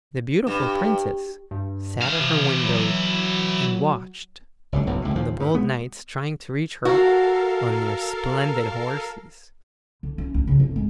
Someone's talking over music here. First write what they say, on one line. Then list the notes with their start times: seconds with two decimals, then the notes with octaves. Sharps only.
The beautiful Princess sat at her window and watched the bold knights trying to reach her on their splendid horses.
0.47 G2
1.51 G2
2.02 E3 F5
2.21 C3
2.65 F#3
4.72 F#1 C#2 D3
4.86 F#1 B1 E2
5.02 C#2 A2
5.15 D#2 A#2 F3
5.40 G2
5.55 G#3 B3
6.85 F#4 A4 A#4 F5
10.03 D3
10.18 C#4
10.34 D2
10.47 C#3
10.60 F2
10.76 G#3